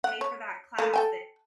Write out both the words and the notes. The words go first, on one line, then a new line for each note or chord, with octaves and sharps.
pay for that class and
F#5
C#5
A3 A#3
A4 G5 G#5